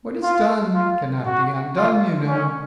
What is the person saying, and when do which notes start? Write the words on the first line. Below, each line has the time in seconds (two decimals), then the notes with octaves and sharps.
What is done cannot be undone, you know.
0.23 F4
0.74 F4
1.26 F#4
1.77 F4
2.28 C#4